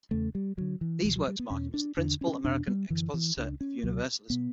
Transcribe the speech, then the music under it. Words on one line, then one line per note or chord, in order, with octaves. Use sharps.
These works mark him as the principal American expositor of Universalism.
E2 C#3 A3
G3
D2 D3 F#3
E3
C#2 B2 E3
F#3
G3
B3
E2 B2 C#4
D4
E2 D3 D4
C#4
E2 B2 D4
G3
F#2 D3 E3
E3
C#2 C#3 D4
C#4
C#2 B2 F#3
B2 B3